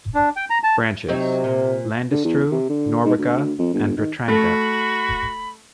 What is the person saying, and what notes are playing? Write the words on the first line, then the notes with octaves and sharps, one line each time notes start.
Branches: Landestreu, Nowica, and Petranka.
D4
G5
A#5
A5
C3 F#3 C4 D#4
A#2
D3
E2
C3
D3
G#2
D2
F2
G1
D#3
A3 F#4 B5